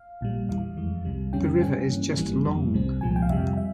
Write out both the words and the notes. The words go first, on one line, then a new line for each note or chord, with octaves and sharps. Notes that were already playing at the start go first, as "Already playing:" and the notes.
The river is just long.
Already playing: F5
A#1 A#2 G3
E2 E3 G3 F5
F2 E3 G#3
C2 C3 G3
F2 C#3 G3 C#4 G5
G#2 G3 C#4 G#5
G2 E3 A#3 C#4
G1 G2 E3 G3 A#3
F2 E3 G3 A#3
C2 C3 G3 C4
C2 A#2 F3 G#3 G#5
G5
F5
F2 C3 G3 E5
E5